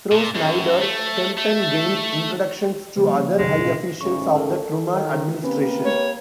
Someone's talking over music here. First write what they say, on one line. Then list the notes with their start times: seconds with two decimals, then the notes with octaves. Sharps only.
Through Snyder, Kempton gained introductions to other high officials of the Truman administration.
0.12 A#2
0.35 F#2
0.82 A3
1.37 A3
2.97 C#3 F3 G3 A#3 C5
3.38 C#2 F#2 C3 F#3 G#3 D4
3.63 A#2 C#4 F5
4.01 A1 G#2 C#3 C#6
4.35 A4 A#4
4.91 D#3
5.44 A#3 C4 C#4 G4 B4
5.84 C#5